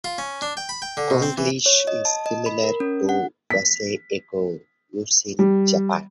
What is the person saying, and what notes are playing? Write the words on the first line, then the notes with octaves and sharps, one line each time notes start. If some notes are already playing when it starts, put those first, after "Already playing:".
Konglish is similar to Wasei-eigo use in Japan.
F4
C#4
D4
G5
B5
G5
D3
B2
C4
E3
C#5
D#5
A5
D#5
B5
A#4
C#4
F#5
B6
G3